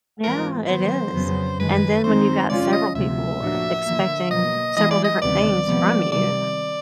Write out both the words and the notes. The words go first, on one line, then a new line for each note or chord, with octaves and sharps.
Yeah, it is, and then when you've got several people expecting several different things from you
G#2 E3 G#3 C4 F4 A#4
D#3 F#3 B3 C5
F2 C#3 F#3 B3
F#2 D#3 G#3 B4
D#3 G#3 C4 D#4 C5
C#3 F3 G#3 C#4 F4 D5
D#5
D2 C3 F3 E5
A2 F3 A#3 D4 F#4
D3 F3 A#3
B2 F#3 A#3 D#5
E3 G#3 B3 E4 G#4 D#5
D5
D#5
D2 C3 D#3 G3 B3 D5
C3 F3 G#3 B3
C3 D#3 G3 D5